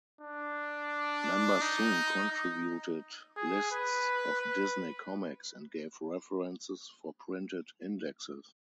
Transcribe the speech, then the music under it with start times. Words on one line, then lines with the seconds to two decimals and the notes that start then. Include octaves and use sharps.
Members soon contributed lists of Disney comics and gave references for printed indexes.
0.21 D4
1.61 D#4
2.32 D#4
3.37 G#4
3.72 B4
4.42 B4